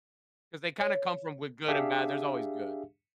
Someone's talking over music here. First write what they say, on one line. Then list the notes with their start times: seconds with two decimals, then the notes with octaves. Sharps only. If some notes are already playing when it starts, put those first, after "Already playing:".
'Cause they kinda come from w good and bad. There's always good.
0.81 C#5
1.68 D4 G4 G#4 E5 F5